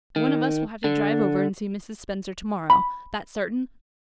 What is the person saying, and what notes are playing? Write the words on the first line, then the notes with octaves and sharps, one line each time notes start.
One of us will have to drive over and see Mrs. Spencer tomorrow, that's certain.
D#3
D3
B5